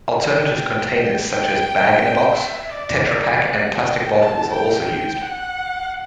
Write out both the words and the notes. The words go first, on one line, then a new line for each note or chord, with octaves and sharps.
Alternative containers such as Bag-in-Box, TetraPak and plastic bottles are also used.
G5
G5
E5
D5
D5
F#5
G5
A5
G5
F#5